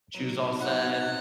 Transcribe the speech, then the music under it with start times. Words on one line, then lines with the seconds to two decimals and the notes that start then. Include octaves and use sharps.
she was all sad,
0.14 F#3 B3 D#4
0.60 F#3 B3 D#4 F#5
1.05 C3